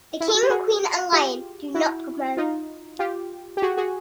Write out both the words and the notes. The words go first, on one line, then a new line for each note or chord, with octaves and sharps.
The king, queen, and lion do not promote.
E4
F4
F#4
G4
F#4 G#4
F4 G4
E4 F#4
D#4 F4
F4 G4
G4
F#4 G#4
F#4 G#4